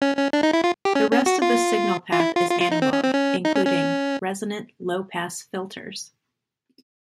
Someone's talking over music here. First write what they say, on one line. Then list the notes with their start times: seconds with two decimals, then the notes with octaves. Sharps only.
The rest of the signal path is analog, including resonant low-pass filters.
0.02 C#4
0.17 C#4
0.33 D4
0.43 D#4
0.53 E4
0.64 F4
0.85 G4
0.95 C#4
1.11 C#4
1.26 F#4
1.42 F4
2.12 F4
2.20 E4
2.36 F4
2.51 F4
2.61 F4
2.72 D#4
2.82 C4
2.93 C#4
3.04 C4
3.14 C#4
3.45 D#4
3.56 C#4
3.66 C#4